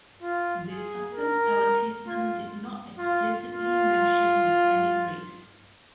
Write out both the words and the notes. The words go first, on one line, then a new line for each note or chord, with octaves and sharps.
The Suppan advertisement did not explicitly mention the Senate race.
F4
G#4
A#4
F4
F4
F4